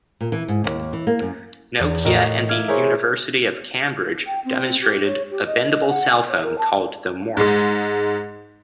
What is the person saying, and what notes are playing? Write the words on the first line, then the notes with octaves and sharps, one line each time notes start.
Nokia and the University of Cambridge demonstrated a bendable cell phone called the Morph.
A#2
E3
G#2
D#2
E3
A#3
F#2
E2
A2 A#4 D#5 E7
E5 F5 D6 F6 G#6
E4 G#4 A#4 C5 C#5
G5
C4
G4
C#5
G4
D#5
F#5
G#5
C#5
A#4
A5
G#2 G#3